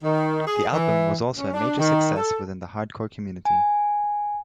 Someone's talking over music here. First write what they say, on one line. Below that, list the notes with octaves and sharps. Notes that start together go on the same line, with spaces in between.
The album was also a major success within the hardcore community.
D#3
G#4
E3
C#4
D4
D#3
A4
G#5